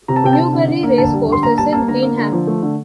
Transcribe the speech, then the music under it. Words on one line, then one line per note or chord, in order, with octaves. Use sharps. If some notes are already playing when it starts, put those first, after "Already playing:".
Newbury Racecourse is in Greenham.
C3 A#5
A5
C3 G5
A5
C3
D3
D3
A#3
D3 A5
G3
D3 C6
A#3 A#5
G3 A5
A#3 A5
D3 A#5
A#3
D3
F3
A3
D3